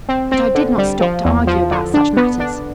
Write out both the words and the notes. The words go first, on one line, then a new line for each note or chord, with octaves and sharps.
But I did not stop to argue about such matters.
C4
C4
D3
G3
F3
E2
F3
D3
D4
B3
D4